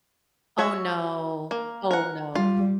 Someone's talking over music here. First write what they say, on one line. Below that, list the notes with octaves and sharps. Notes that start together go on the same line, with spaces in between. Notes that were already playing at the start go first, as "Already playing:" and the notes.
Oh, no. Oh, no.
F#4 C#5 E5
A#3
A#4 F#5
G3 F4